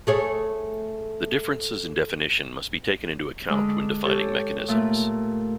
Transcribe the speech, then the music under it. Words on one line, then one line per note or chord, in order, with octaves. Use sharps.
These differences in definition must be taken into account when defining mechanisms.
A3 G#4 C#5
D3 G#3
G4 A4 C#5
A#2 A3